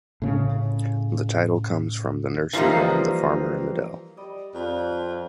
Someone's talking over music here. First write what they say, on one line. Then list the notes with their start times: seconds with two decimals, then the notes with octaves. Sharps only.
The title comes from the nursery rhyme "The Farmer in the Dell".
0.22 A2 C#3 A3
2.53 E3 F3 G3 A#3 D#4
4.17 G3 D5 D#5
4.54 F2